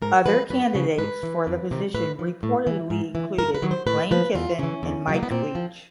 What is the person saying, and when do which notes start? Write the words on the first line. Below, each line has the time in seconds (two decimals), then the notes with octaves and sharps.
Other candidates for the position reportedly included Lane Kiffin and Mike Leach.
0.02 G#2 A#4
0.26 F3 B4
0.50 F#2 B4
0.74 C#3 F3
0.98 G#2 B4
1.23 E3
1.47 F2
1.71 C3 D#3
1.94 A2 B4
2.19 F3
2.43 A2
2.67 E3
2.90 G#2
3.15 E3
3.38 G2 A#4
3.54 B4
3.62 D#3 F#3
3.71 C5
3.87 A2 B4
4.11 F3 B4
4.35 E2 F4
4.59 C#3 E3 C#4
4.83 E2
5.08 C#3 F#3
5.14 A#3
5.23 B3
5.31 A#2 C4
5.55 F3